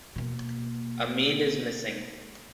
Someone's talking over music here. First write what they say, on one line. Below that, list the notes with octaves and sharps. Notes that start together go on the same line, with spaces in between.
A meal is missing.
B2 A#3